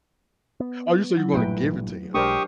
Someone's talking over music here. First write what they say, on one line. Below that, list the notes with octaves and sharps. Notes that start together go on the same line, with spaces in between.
Oh, you say you're gonna give it to him.
B3
F#3 E4
A1 G2 A#2 A3 B4 G5
B1 G#3 D4 G4 A#4 C5 C#6 D#6